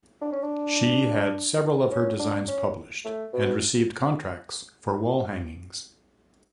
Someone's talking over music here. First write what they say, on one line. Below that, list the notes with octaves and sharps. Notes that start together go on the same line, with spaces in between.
She had several of her designs published and received contracts for wall hangings.
D4
C#4
D4
C#4
D4
C#4
A3
B2